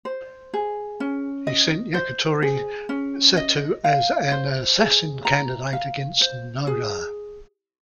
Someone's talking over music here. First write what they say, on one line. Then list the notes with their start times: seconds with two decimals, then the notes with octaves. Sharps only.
He sent Yukari Sato as an "assassin" candidate against Noda.
0.05 C5
0.54 G#4
1.00 C#4
1.47 D#5
1.94 C5
2.42 G#4
2.89 C#4
3.37 D#5
3.84 F5
4.32 C5
4.78 G#4
5.25 A#5
5.73 F5
6.21 C5
6.67 G#4